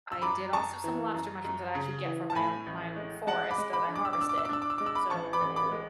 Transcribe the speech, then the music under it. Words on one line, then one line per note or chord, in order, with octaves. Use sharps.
I did also some lobster mushrooms that I actually get from my own my own forest that I harvested. So
E6
F#2 B5 D6
F#2 A5 C#6
E3
F#2
F#2
C#3
E3
A5
A2 G#5 B5
A1
G#3
G#3 F#5 A5
B5 D6
G#3
B5 D6
D4
D6
E6
D6
D4 E6
D6
E6
D6
D4 E6
D6
E6
G#3 D6
E6
B5 D6
A1 A5 C#6
B5 D6
A1
B5 D6
G#3